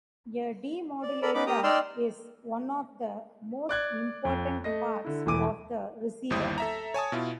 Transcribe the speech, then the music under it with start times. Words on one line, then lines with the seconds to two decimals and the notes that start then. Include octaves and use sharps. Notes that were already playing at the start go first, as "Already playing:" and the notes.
A demodulator is one of the most important parts of the receiver.
1.03 D5
1.22 A4 A#4 D5 B5
1.34 B3 C#4 D#4 B5 D6
1.47 A#3 G4 G5 A#5 D#6
1.63 D#4 D5 G5 C6 E6 F6
3.69 D5 F#6 G#6
4.25 F2
4.64 A3 D#5 A#6
5.04 D3 E4
5.26 E1 E3 A3 D6 D#7
6.30 G1 D#2 G3 E4 C5 D#6
6.58 A4 E5 A#5
6.94 C#5 G#5 A5 D#6
7.12 B2 E4 F4